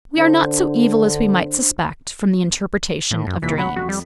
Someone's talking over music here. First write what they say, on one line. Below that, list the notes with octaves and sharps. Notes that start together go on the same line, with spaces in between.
We are not so evil as we might suspect from the interpretation of dreams.
D3 D4 C5
A2
F#2
F1 A#2 E3 B6
F#3 F#5 B5 B6
F2 F#4
G3